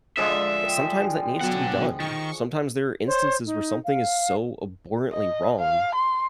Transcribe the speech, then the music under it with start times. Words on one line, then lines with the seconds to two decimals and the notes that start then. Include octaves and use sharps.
but sometimes that needs to be done, sometimes there are instances where something is so abhorrently wrong
0.17 D3 F3 G#3 E5
0.65 G5
1.41 B2 F#3 D4 F#5
2.00 D#3 C#6
3.06 C5 C#5
3.44 D#4
3.85 F5
5.12 D#5
5.60 F5
5.95 C6